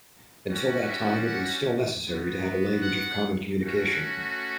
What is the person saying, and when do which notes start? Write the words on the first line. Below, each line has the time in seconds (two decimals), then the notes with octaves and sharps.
Until that time it was still necessary to have a language of common communication.
0.48 G3 C#4 F#4
0.88 E5
1.26 F#5
2.05 B3 F#4
2.82 F#5
3.62 A3 C#4 F#4